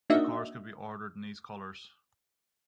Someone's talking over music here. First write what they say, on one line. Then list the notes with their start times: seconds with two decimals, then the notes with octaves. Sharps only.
The cars could be ordered in these colors.
0.10 A#3 D4 D#4 F#4 D#5 E5